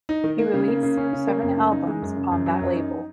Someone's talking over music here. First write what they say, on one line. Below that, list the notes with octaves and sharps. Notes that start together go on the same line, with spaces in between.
He released seven albums on that label.
D#4
D#3
A#3
C#3
A#3
C#3
C#4
C#3
A#3
F#2
C#3
D#4
G#3
F#2
C#3
F#2
F#3
F#2
D#4